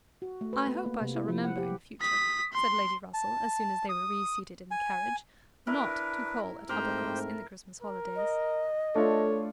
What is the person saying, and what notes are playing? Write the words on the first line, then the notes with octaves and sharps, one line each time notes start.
"I hope I shall remember, in future," said Lady Russell, as soon as they were reseated in the carriage, "not to call at Uppercross in the Christmas holidays."
F#4
A3
B4
B3
A#3
C3
E4
F3
F#5
G4
D#6 B6
C6
A5
D#6
G#5
D4 E4 A#4 B4
G#2 A3 C4 G4 A#4 C5 G5
A#4
D#5
A3 D4 F4 A4 C#5